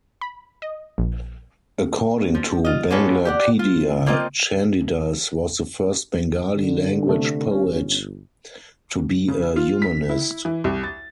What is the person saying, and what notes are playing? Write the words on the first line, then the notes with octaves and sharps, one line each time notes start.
According to Banglapedia, Chandidas was the first Bengali-language poet to be a humanist.
B5
D#5
A#1
F3
F4 D#5
G#3 A#3 B3 C#4 F4 A4
G4 D5 F#5
F4
F3 A#3 C4 F4 D#5 G5
D3
C3 A3
G1 C#4
C#3
F4
B6
E4
E3
C2
A6